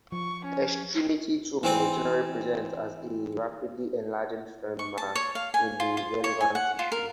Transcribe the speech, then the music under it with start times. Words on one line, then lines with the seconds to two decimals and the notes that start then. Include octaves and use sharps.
Extremity tumors generally present as a rapidly enlarging, firm mass in the relevant tissue.
0.12 F3 C#6
0.45 C#4
1.63 E3 C4 D5
4.79 C#6
4.98 A5
5.15 C#5
5.35 F5
5.54 G#5
5.80 F4
5.97 F4
6.24 C#5
6.41 G#5
6.55 F#5
6.79 F4
6.92 A#4